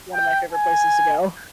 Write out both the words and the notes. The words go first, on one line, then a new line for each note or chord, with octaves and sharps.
one of my favorite places to go.
G5
G#5